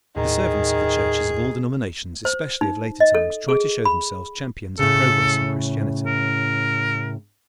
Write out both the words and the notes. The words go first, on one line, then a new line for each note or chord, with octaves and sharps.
The servants of the churches of all denominations, especially of later times, try to show themselves champions of progress in Christianity.
D#2 A2 D#3 G#4 A#5
C5
D#4
D#5
A4
G#4
B5
A2 C#3 A4
A#4